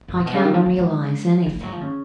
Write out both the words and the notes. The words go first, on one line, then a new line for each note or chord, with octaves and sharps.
I can't realise anything.
F#2
A#2
B2
C#3
D#3
F3
F#3
G#3
B3
A#3
F#3
F3
C#3